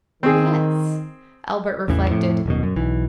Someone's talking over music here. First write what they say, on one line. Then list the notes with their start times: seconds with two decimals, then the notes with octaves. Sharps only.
"Yes."--Albert reflected.
0.23 D#3 C4 G#4
1.88 A1 E2 C#3 E3
2.08 F2 A2
2.46 D#1 F#2 B2
2.63 F#2
2.76 B1 E3